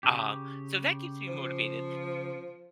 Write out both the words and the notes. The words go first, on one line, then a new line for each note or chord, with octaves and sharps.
Uh, so that keeps me motivated,
C#3 G4
F3